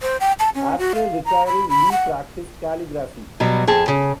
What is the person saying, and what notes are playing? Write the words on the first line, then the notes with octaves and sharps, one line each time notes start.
After retiring, Li practiced calligraphy.
C5
G5
A5
C#4
F#4
F5
A#5
B5
B5
F#5
B2 F#3 G3
F2 G#4 A5
C#3